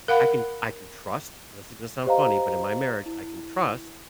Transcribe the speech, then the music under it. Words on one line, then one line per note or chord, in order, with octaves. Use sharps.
I can I can trust this is gonna sound funny, but in my marriage, I can trust
A#4 F5 F#5 B5
G4 C5 D#5 F5 A#5
E4